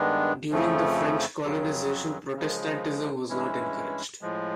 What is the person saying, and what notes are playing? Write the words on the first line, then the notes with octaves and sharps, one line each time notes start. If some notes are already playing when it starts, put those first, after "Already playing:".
During the French colonization, Protestantism was not encouraged.
Already playing: G2 D#3 G#3 B3 D4
F2 C#3 F3 A3
F2 C#3 F#3
C#3 F3 G#3
G2 E3 G#3 C#4 E4
A2 F3 G#3